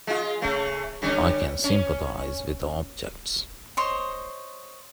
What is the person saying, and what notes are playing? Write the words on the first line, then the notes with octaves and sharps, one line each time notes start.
I can sympathize with the objects.
G#3 F4
C#3 A3
D3 G3 C#4
C#4
C5 C#5 D#5 C6